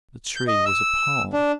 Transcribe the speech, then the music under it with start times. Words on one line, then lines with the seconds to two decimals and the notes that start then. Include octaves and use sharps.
The tree was a palm.
0.36 G6
0.47 D#5
0.66 E6
1.33 D4